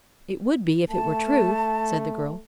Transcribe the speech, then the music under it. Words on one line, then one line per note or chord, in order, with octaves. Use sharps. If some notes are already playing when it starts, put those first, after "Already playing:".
"It would be, if it were true," said the girl.
A3 A5